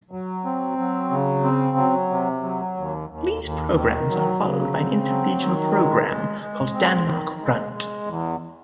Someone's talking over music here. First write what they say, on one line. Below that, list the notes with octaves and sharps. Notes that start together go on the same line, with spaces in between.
These programs are followed by an inter-regional program called Danmark Rundt.
F#3
C4
F#3
C#3
C4
F#3
C3
F#3
D#2
D#2
D#2
D#3
F#3
C#3
C4
F#3
D#3
G#3
G#3
G#3
C4
D#3
G#3
G#3
E2